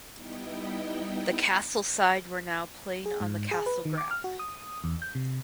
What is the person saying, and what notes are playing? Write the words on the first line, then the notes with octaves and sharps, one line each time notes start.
The Castle side were now playing on the Castle ground.
G3 B3 D#4 E4 D#5 G5
G#4
G#2
G#4
B4
D#3
D6
F6
F#4
D#6
E2
G6
C3